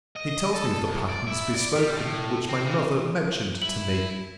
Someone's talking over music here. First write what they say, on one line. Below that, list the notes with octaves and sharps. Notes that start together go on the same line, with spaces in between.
He tells me of the patterns bespoken which my mother mentioned to me.'
D#5
A4
C2
D5
E4
D5
G3
A2
C4
C#3
E4 F#7